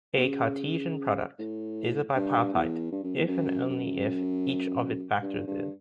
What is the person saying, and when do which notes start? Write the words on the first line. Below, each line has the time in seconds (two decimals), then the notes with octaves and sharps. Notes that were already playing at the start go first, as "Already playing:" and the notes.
A Cartesian product is bipartite if and only if each of its factors is.
0.17 B2
0.24 C#3
1.39 A2
2.16 G2
2.53 E2
2.92 G2
3.03 F#2
3.16 E2
3.28 F#2
3.69 F#2
5.22 G2
5.47 G2